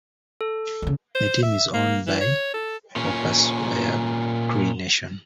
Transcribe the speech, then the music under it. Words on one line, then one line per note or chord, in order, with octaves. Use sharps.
The team is owned by the Opaskwayak Cree Nation.
A4
E2 C#3
C5
E5
A#3
E3
C#5
A4
A#2 C#4